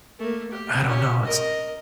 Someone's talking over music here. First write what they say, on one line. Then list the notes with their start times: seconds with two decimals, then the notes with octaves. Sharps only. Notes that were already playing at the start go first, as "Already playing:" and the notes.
I don't know. It's
0.19 A3 A#3
0.51 G4
0.87 C#4 G4
1.24 A#4 D#5